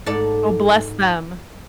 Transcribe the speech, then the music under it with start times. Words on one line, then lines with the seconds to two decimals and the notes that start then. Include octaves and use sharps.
Oh, bless them.
0.06 G#2 A4 D5